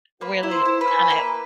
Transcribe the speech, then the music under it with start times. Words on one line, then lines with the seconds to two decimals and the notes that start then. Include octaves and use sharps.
Really kinda
0.21 A#3 B4
0.43 E4
0.51 C5
0.65 E4
0.81 B4
0.88 C#4
1.10 A#3 B4